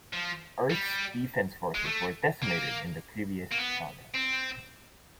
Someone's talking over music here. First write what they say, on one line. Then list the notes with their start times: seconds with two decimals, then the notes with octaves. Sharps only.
Earth's Defense Forces were decimated in the previous saga.
0.13 F3
0.71 G3
1.75 G#3
1.86 A3
2.43 A#3
3.51 A#3
3.58 B3
4.15 C4